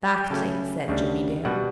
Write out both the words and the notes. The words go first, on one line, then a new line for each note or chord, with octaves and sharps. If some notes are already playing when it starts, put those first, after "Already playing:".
"Exactly," said Jimmie Dale.
G5
C#3 F#3 A3 C#4 A5
D2 C#3 G3 D4
B2 G3 F#5